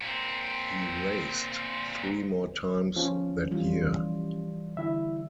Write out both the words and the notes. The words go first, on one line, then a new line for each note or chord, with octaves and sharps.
He raced three more times that year.
A#2 C4
F3 C#4
E3 G3 F4
D3 E4 E5